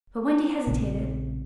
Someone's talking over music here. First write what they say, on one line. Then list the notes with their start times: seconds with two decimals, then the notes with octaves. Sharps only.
But Wendy hesitated.
0.67 A#1 A#2 C#3 C4